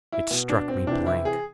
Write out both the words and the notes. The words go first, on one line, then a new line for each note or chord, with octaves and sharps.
It struck me blank.
E4
B2
D4
C4
C3 E3 D4
E4
G#4